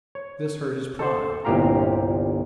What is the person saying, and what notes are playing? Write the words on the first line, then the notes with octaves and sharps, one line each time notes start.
This hurt his pride.
C#5
A4 C5
G1 C2 A#2 G4 F5 A#5